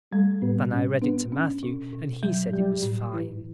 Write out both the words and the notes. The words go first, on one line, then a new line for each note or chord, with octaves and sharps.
Then I read it to Matthew and he said it was fine.
G3 A3
A2 B3
A2 C#4
B3 D4
C#4
B2
B2
F#3
F#3 G3
A2
A2 E3